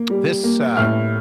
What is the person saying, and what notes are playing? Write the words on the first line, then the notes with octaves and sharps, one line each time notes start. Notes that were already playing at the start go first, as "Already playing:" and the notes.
This, uh
Already playing: A#3
G3
A#3
A2 F6